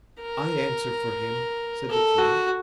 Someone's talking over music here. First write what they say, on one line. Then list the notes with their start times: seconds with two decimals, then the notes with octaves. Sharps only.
"I answer for him," said the curate.
0.21 A#4
1.90 A4
2.18 F#4